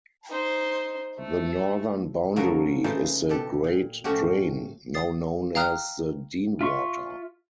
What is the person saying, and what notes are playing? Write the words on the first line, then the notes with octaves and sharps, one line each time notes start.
The northern boundary is the "Great Drain", now known as the Dean Water.
D#4 C5
A3
C#3 F3 F#3 F#4 A4 A#4
C#3 E3 A3 D#4 F4 C5
B2 G4 A4
A#2
A2 F3 A3 C#4 F#4 G4
D#6 A6 C7
F5 G5 A#5 D#6 F6 F#6
F4 E5 C6 C#6